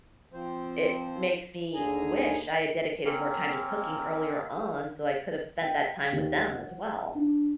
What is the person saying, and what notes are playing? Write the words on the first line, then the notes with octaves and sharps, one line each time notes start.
it makes me wish I had dedicated more time to cooking earlier on, so I could have spent that time with them as well.
F3 C4 C5
D#2 D3 G#4 G#5 A#5
A#3 C4 C#4 A#4
G5
D#2
F#5
D4